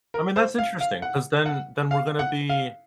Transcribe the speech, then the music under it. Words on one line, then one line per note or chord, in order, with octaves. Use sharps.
I mean, that's interesting 'cause then then we're gonna be
A#4
C5
F5
F5
F#5
F#5
F5
F#5
F5